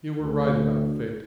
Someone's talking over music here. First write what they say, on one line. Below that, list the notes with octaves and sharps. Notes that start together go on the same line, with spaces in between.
You were right about Fate.
D2